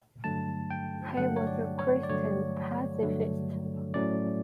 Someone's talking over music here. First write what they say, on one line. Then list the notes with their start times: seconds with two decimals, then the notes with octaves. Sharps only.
He was a Christian pacifist.
0.24 G2 D3 F#3 A3 A5
0.70 G5
1.17 G2 D3 F#3 A3 F#5
1.36 C#5
1.47 D5
1.79 C#5
2.03 D5
2.09 G2 D3 F#3 A3 C#5
3.02 G2 D3 F#3 A3
3.94 A2 F#3 A3 C#4 D5